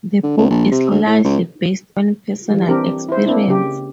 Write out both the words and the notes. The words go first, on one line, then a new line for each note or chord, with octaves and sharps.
The book is largely based on personal experience.
D3
C#2
A#1
C3
D2
A2
C#2
E3 G3
E3 C4 D4 G4 A#4
E4 C5
A#3 C4 D4 E4
C#3 G4